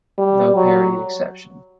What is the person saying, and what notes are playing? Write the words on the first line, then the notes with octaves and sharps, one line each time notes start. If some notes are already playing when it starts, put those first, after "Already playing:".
No parody exception.
G3
F#3